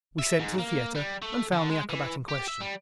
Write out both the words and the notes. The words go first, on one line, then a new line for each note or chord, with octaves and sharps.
We sent to the theater and found the acrobat in question.
E5
G#2
A#3
G3
A3
D3
G#3
E3
G4
E5
G3